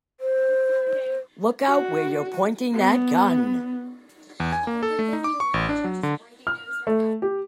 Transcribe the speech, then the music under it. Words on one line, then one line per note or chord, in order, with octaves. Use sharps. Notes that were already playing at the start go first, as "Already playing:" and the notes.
Look out where you're pointing that gun!
C5
F#4
B3
E2
G#5
A#3
A4
A3
D#4
D6
C#6
A1
D4
F#3
D3
F6
A3
G4